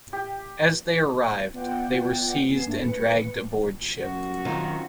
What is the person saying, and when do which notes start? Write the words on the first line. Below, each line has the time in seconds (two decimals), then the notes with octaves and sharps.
As they arrived, they were seized and dragged aboard ship.
0.13 G4
1.54 B3 F4 D5 F#5 G5
2.49 B3 G#5 C7 E7
2.66 G2 A3 A#3 D4
2.79 B4 C#7
4.00 F#2 F#4
4.45 D#3 C4 C#4 F4